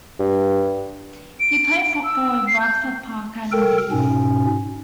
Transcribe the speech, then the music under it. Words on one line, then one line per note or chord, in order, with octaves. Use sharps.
He played football with Bradford Park Avenue.
G2
D7
E6
C7
G6
A4 A#4 G5
G#2 B2 C#4